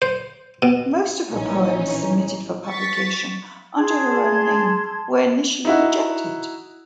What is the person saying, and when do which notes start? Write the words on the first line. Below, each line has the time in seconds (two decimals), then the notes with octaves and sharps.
Most of her poems submitted for publication under her own name were initially rejected.
0.02 C5
0.62 B2
1.31 A#1 E3 C#4 D#4
2.67 C#6 A6 B6
3.78 G#4 A5 C6 G#6
5.65 D#4 E4 F#4